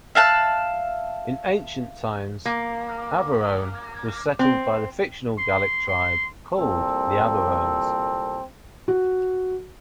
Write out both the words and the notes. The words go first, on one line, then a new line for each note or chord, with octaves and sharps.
In ancient times, Averoigne was settled by the fictional Gallic tribe called the Averones.
E5 F5 A5 F#6
A#3
C4
C6
C6
C2 A#2 C4 A4
F#4